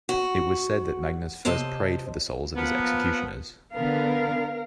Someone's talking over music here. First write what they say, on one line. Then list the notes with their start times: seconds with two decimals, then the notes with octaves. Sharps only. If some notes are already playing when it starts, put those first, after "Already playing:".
It was said that Magnus first prayed for the souls of his executioners.
0.09 F#4
1.45 C3 C4 D#5 A5
2.54 F3 A#3 B3
3.73 D3 B3 A#4 F5